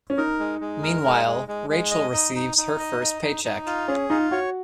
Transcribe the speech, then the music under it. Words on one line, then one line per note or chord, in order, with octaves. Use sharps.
Meanwhile, Rachel receives her first paycheck.
C#4
D#4 A#4
G#3
G#3
A#4
G#3
G#3
G#3
G#3
D#5
D#4
D#4
D#4
D#5
D#4
D#4
D#4
F4
C#4 G#4
D#4 F4
F#4 C#5